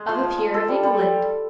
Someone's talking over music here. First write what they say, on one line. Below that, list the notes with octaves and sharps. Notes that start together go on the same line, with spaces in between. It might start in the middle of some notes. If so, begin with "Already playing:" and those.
Of a peer of England.
Already playing: G#3
F3
F3
G#3
A4
G3
G3